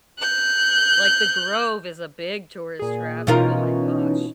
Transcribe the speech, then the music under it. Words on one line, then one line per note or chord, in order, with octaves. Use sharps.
Like, The Grove is a big tourist trap oh my gosh.
F#6 G6
A#2 G#4
B2 E3 C#4 D#4 F4 A#4